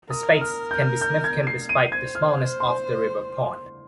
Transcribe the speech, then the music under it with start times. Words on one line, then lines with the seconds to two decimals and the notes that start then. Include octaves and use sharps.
The spates can be significant despite the smallness of the river pond.
0.10 A#4 D#6
0.41 F6
0.71 G6
1.01 G6
1.24 G#6
1.47 C7
1.69 D#7
1.92 C5 G#6
2.15 F6
2.60 C6